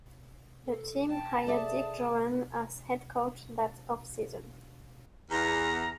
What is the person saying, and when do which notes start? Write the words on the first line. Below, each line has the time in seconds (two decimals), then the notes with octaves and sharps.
The team hired Dick Jauron as head coach that off-season.
0.65 A4
1.09 G5 A5
1.47 G#4 A4 D5 E5
5.31 E2 A#5